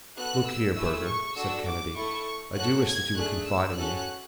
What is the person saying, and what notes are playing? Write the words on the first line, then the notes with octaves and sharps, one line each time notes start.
"Look here, Burger," said Kennedy, "I do wish that you would confide in me."
B3 F#4 A4 F#6
E6
A3 E4 G#4 E6
C#6
D4 F#4 A4 E6
D6
A3 E4 A4 C#6
C#4 F#4 A4 F#6
G#6
A3 D4 G#4 F#6
E6
C#4 F#4 A4 F#6